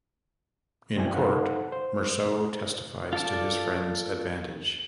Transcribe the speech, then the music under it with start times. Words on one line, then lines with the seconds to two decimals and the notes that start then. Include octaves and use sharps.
In court, Mersault testifies to his friend's advantage.
0.96 F#2 C4 D4 E4 G5 G#5
1.14 D#4 A4 C5 F5 F#5
1.72 C5
3.13 F4 A4 D5 A5